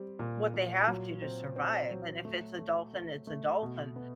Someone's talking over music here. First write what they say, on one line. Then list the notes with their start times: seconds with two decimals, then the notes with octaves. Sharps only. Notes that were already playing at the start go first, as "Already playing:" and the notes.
what they have to, to survive, and if it's a dolphin, it's a dolphin,
Already playing: G3 C4
0.19 A#2
0.54 A#2
0.87 F#3
1.22 C4
1.56 C4
1.91 F#3
2.25 A3
2.59 A3
2.93 A3
3.27 A3
3.62 B2
3.96 B3